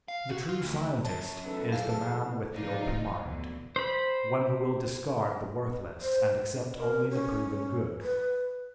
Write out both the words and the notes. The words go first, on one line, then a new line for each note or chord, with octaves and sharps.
The true scientist is the man with the open mind, one who will discard the worthless and accept only the proven good.
F5
F#4
F4
D2
F#2 A5
E2 C#3 A4 B4
E3 G#4 A4 F5
A5
C3 E3 F3 D4 D#4 F4
D2 B2 D3 E3
C5 B5
C5
D4
A#4
C#4
B4